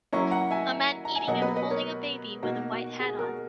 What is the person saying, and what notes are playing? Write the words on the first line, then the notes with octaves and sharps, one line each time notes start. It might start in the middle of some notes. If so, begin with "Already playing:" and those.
A man eating and holding a baby with a white hat on.
F#3 A#3 C#4 E4 A#5 C#6
F#5 A#5
E5 G#5
A#5
G#5
B2 F#3 A#3 D#5 F#5
B4 D#5
B4 D#5
A#4 C#5
B2 A#3 D#4 F#4 A#4
F#4
G#4
F#4 A#4